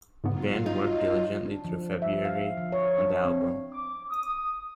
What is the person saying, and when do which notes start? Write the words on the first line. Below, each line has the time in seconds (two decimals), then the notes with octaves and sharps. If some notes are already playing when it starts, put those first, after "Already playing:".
The band worked diligently through February on the album.
0.24 G#2 C#3 F#3 B3 F4
0.66 D#4
1.45 D4
1.64 F3
2.02 E5
2.25 F5
2.57 F3
2.72 C#5
2.98 D4
3.25 C4
3.72 D6
4.10 D#6